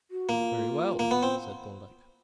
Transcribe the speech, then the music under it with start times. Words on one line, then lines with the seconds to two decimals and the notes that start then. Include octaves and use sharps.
"Very well," said Thorndyke.
0.11 F#4
0.29 A#3 F4
0.99 A#3
1.11 B3
1.23 C4